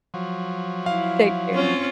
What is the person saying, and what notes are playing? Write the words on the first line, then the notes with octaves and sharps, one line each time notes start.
Take care.
F3 F#3
E4 F5
C4 C#4 F4